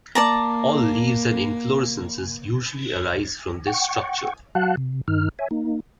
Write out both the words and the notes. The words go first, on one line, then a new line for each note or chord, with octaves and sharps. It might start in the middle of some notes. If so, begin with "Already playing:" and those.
All leaves and inflorescences usually arise from this structure.
A#3 D5 A5 A#5
F#5 G5 C#6
F#3 F#4 F5 F#5 A5 F#6
C3
G2 D#3 D#4 F6
C#5 E5 G#5
A#3 D#4